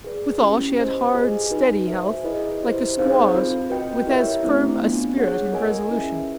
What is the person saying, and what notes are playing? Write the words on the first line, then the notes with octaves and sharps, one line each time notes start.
Withal she had hard, steady health like a squaw's, with as firm a spirit and resolution.
G#4 B4 D5
C#4 E4 G4
G4 C5 D#5 G#5
F4 G#4 B4 D#5 G#5
D#4 F#4 B4
F#4 A4 C5 E5 G#5
E4 G#4 B4 D#5
E4 G4 C5
C4 D#4 G#4 C5 F5
C4 F4 A4
F#4 B4 D#5 G5
E4 G4 A#4 C#5 E5
A3 C4 E4
B3 D4 F4
G#4 C#5 F#5
F4 A#4 D#5 G#5
C#4 E4 G#4 B4 E5